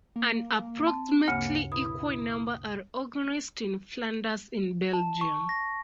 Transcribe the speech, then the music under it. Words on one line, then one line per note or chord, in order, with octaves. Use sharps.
An approximately equal number are organised in Flanders in Belgium.
A#3
C4 A5
D2 G2 C#3 A#3 G#5 C#7
B2 E4 D#6
A5
C#6
A#6